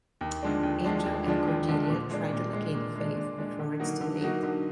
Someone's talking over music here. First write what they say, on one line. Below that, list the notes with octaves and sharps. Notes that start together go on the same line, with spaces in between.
Angel and Cordelia try to locate Faith before it's too late.
D#2
D3 F3 G#3 D4
D#2
D3 F3 G#3 D4
D#2
D3 F3 G#3 D4
D#2
D3 F3 G#3 D4
A#2
G#3 D4
A#2
G#3 D4
A#2
G#3 D4
A#2
G#3 D4
D3
F#3 A#3 D#4 F#4
D3
F#3 A#3 D#4 F#4
D3